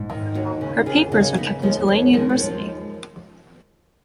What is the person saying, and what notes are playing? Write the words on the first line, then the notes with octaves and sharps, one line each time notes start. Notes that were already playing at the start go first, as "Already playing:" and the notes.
Her papers are kept in Tulane University.
Already playing: G#2
D#3
D#2 D#4 F#4
C#3
D#2 F4 G#4
C#3 D#4 F#4
C#3 B3 D#4
D#2 F3 G#3
D#2 F#3
D#3 F3 G#3
F#3
D#2 F3 G#3